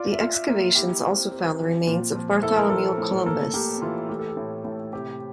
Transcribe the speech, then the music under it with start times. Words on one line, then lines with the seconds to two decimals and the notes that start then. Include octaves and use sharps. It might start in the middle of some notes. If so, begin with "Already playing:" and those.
The excavations also found the remains of Bartholomew Columbus.
Already playing: F4 D5
0.13 E5
0.21 F4
0.34 E5
0.48 A#3
0.75 E4 G4
1.03 C4
1.32 C4
1.59 F3
1.87 A#2
2.15 F3
2.42 E4 A4
2.56 A#4
2.70 F3 A4
2.98 A2
3.26 A#3 A4
3.54 A#3 G4
3.82 E3 F4
4.09 A3 G4
4.19 A4
4.28 G4
4.37 A2
4.65 A2
4.93 C3 G4